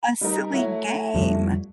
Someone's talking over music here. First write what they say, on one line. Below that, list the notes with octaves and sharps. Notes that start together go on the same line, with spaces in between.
a silly game.
G3 D#4 A#4
F#3 A3 E4
F2 F3 G3